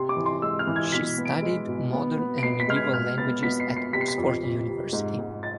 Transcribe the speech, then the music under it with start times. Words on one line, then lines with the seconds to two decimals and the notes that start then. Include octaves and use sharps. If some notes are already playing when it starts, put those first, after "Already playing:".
She studied Modern and Medieval Languages at Oxford University.
Already playing: C3 C6
0.09 D6
0.17 E3
0.26 C6
0.42 G#3 E6
0.59 F6
0.67 E3
0.76 G#6
0.92 B2 B6
1.17 B3
1.25 D7
1.42 G#3
1.68 B2
1.93 B3
2.18 B3
2.38 D7
2.43 B3 C7
2.60 B6
2.68 G#3 F6
2.76 G#6
2.93 B2 F6
3.18 B3 A6
3.43 B3 B6
3.60 C7
3.68 B3
3.76 C7
3.93 C3 B6
4.01 C7
4.08 B6
4.18 F2
4.43 F2
4.68 C3
4.93 G#2
5.19 G#2
5.43 A6